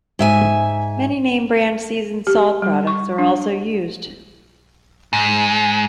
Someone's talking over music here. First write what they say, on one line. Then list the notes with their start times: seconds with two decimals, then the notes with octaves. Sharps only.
Many name brand seasoned salt products are also used.
0.19 G#2 E5 G#5
2.27 G4
2.62 G3
2.87 C#6
3.18 D4
5.13 G#2